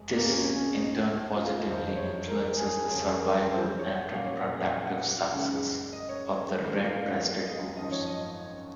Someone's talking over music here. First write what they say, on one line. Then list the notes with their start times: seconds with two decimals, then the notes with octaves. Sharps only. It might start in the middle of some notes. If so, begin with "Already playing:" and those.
This in turn positively influences the survival and reproductive success of the red-breasted goose.
Already playing: F2 C3 G#3
0.13 A#3
0.29 C#4
0.44 C#2 C#3 G#3 C#4
0.74 D#4
1.36 F4
1.66 F#1 F2 D#3 G#3 D#4 C5
1.87 C5
1.96 C#5
2.28 A#4
2.57 G#4
2.88 F2 C#3 F#3 C#4
3.19 A#4
3.49 C5
3.79 C#5
3.94 F#5
4.10 A#2 F#3 A#3 C#4 F5
4.26 C#5
4.40 F#5
4.71 F5
4.87 F#5
5.01 F#5
5.33 F#2 C#3 G#3 D#4
5.93 D#5
6.09 C#5
6.54 G#1 G#2 D#3 A#3 C#4
6.85 F5
7.46 D#5
7.76 G#1 F#2 F3 D#5
7.91 C#5
8.07 D#5